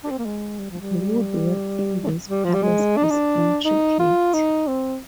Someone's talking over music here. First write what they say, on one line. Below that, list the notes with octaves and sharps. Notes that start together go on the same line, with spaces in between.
The woodwork in this palace is intricate.
D4
C4
A#3
G#3
G3
F3
G3
G3
F3
G3
G#3
D4
D#4
D4
D#4
F4
D#4
C4